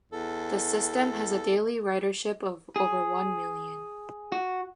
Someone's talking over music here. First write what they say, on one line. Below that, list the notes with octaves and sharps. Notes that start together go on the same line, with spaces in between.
The system has a daily ridership of over one million.
E2 A4
G#4
F#4